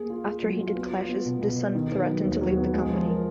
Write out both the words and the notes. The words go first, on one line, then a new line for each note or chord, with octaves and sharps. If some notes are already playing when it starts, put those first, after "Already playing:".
After heated clashes, the son threatened to leave the company.
Already playing: A#3 G#4
F4
G#4
F#3
F4
B3
F4
B3
B2
B2
B3
D#3
B3
F#3
D#2
F#3
B3
G#3
F3
A#4